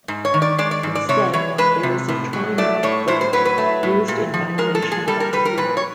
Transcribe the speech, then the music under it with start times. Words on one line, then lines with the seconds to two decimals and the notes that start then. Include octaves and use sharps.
Instead, there is a trimount vert used in violation of the rule.
0.08 G#2
0.25 C#5
0.34 D#3
0.42 D5
0.58 G#3 D5
0.71 D5
0.83 G#2
0.95 D5
1.09 C3 C#5
1.33 E3 C#5
1.58 G#3 B4
1.83 C3
2.08 A2
2.33 F#3
2.58 A3 D5
2.83 A2 C#5
3.08 A2 C5
3.21 C5
3.33 F#3 B4
3.45 B4
3.58 A3
3.83 A2
4.08 A#2
4.34 F3
4.58 G#3 A#4
4.75 A4
4.82 A#2
4.92 G#4
5.08 G3 A4
5.20 A#4
5.33 G3 B4
5.45 A#4
5.57 A#2 B4
5.77 C#5